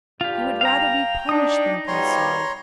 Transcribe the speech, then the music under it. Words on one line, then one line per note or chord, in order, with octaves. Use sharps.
He would rather be punished than consoled.
G2 F4 G4
F5 G5 A#5
D4 D#4 D#6
F2 B2 G3 C#5 A#5 C6